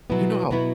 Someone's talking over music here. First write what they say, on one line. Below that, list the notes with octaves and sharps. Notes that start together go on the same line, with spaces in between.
You know how
B2 F#3 B3 E4
B2 F#3 B3 E4